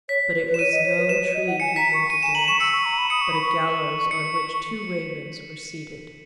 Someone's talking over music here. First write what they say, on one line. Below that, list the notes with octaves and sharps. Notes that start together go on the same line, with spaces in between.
But it was no tree he leant against, but a gallows on which two ravens were seated.
C#5 B6
B4
B4
E7
C#5 D#7
D#5
C#5
B4
C#5
B4 E7
C#5
D#5
F#5
G#5 C#7
A#5 B6
C#6 C#7
D#7
G#5 E7
A#5 F#7
C#6 E7
E6 C#7
C#6
A#5
B5
D#6 C#7
C#6
B5
C#6
C#7